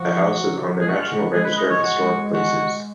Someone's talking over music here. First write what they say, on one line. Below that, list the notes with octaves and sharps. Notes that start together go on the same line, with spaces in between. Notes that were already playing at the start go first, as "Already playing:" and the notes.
The house is on the National Register of Historic Places.
Already playing: F3 F#4
F#3
G#3 G#4
F#4
F4
F#4
G#3 G#4
B4
D#5
C#5
F#4
F#4